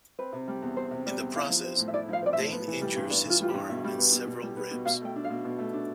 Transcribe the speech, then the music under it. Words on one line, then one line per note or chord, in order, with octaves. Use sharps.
In the process, Dain injures his arm and several ribs.
C4 B4
C3
G3
E2
C4 C5
C3
G3 D5
E2
E4 F5
F3
C4
A2
E5
E4 D5
F3 F5
C4 D5
E5
A2
B3
E3
G3
G2
B3 D5
E3 F4
G3 F4
G4
G2
B2 E5
G3
B3
B2
B2
G3
B3
B2
B2 F5
A3 G5
D4
F5
B2
B2
A3
D4